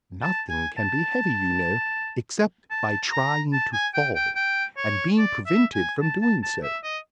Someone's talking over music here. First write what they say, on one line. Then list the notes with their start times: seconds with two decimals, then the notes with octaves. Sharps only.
Nothing can be heavy, you know, except by trying to fall, and being prevented from doing so.
0.22 A5
0.50 G#5
0.78 A5
2.71 A5
3.12 A#5
3.53 A5
3.73 G#5
3.94 G5
4.15 G5
4.35 G5
4.77 C#5
5.18 D5
5.46 E5
5.74 G#5
6.01 A5
6.22 A5
6.43 A5
6.63 E5
6.83 D#5